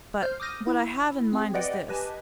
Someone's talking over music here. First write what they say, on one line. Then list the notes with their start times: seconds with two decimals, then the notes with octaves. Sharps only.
But what I have in mind is this.
0.22 C5 F6 G6
0.40 D6 D#6 F6 G6 A#6 D#7
0.67 E4
1.33 C4 G#4
1.54 G4 B4 D5 D#5 F#5 G5
1.89 G4 B4 D#5 G#5 A5